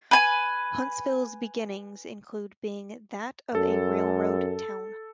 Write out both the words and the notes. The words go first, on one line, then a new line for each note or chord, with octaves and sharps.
Huntsville's beginnings include being that of a railroad town.
B4 G#5
F#2 A4